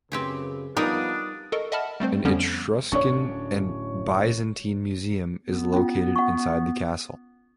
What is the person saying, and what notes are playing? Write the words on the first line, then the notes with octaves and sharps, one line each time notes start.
An Etruscan and Byzantine museum is located inside the castle.
F#2 C#3 C4 G4 G#4 B4
F3 G3 B3 D4 D#4 F4 A#4 D#6
A4 A#4 D#5 C#6
D#5 E5 F#5 A5 B5 F6
G3 A3 C4 C5
F2 D3 F3 G3 B3 C#4
D1 C#4 D4 C#5 C#6
B3
C#4 F4
F#5 C#6